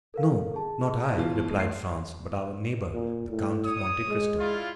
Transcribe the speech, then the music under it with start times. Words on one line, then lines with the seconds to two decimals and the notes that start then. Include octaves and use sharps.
"No, not I," replied Franz, "but our neighbor, the Count of Monte Cristo."
0.14 A4 A#4 F5
0.54 G#4 A5
1.15 B2 E3 F4
1.55 D2 G2 C7
2.93 A#2
3.29 A2
3.64 C#5 D#6
4.08 G#3
4.39 D4 E4 F4